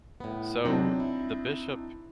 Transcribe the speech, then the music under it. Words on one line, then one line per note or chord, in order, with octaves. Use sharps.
so, the Bishop,
A2 B3
E2 C3 F#3 C4 D4 D#4
E4